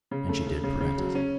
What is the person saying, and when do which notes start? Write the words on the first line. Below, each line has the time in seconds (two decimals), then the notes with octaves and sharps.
And she did prevent it.
0.11 C#3
0.29 A3
0.47 C#3
0.64 C#3
0.80 C#3
0.98 F#3
1.15 C#4